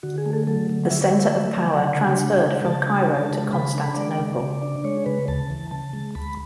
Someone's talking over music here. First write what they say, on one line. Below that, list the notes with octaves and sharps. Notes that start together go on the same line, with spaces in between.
The centre of power transferred from Cairo to Constantinople.
D3 F#4
G#4
A3
A4
F#3 A4
D3
F#5
D3 E5
A3
F#3
D3
C#3 F#5
D4
G#3 F#5
C#3
C#3 A5
D4
G#3
C#3
C#3 B5
D4
G#3 D5
C#3
C#3
D4
G#3 C#5
C#3 B4
D2 A5
E3
C#3 A5
G#3
D2 B5